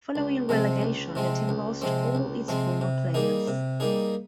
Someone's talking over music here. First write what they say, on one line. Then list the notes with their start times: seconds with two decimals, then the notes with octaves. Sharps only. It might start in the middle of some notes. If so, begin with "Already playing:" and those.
Following relegation the team lost all its former players.
0.16 C#2
0.49 C3 F3 G#3 C4
0.82 C#2
1.15 C3 F3 G#3 C4
1.49 C#2
1.82 C3 F3 G#3 C4
2.15 C#2
2.48 C3 F3 G#3 C4
2.81 C3
3.14 G3 A#3 D#4 G#4
3.48 C3
3.80 G3 A#3 D#4 G#4